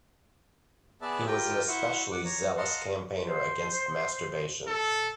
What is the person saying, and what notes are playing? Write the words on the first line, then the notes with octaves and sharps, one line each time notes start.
He was an especially zealous campaigner against masturbation.
B3 G#4 B4 D5 E5 A5
F4 G4 A#4 G5
E4 F#4 C5 E5 F#5
F#5 D6
C#5 A#5
D#5 F5 F#5 A5 A#5 C6
C5
A4